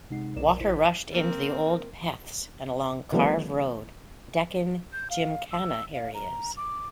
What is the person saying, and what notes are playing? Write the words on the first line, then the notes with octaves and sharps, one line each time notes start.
Water rushed into the old 'Peths' and along Karve Road, Deccan Gymkhana areas.
C3 G#3 D#4 F#5 C7
B1 A#4 D5 D#5 E7
A1 E4 C5 B6
A#3 C4
D#3 F3 G3 A3 B3 D4
G6
F5
E6
F5
A#5
D6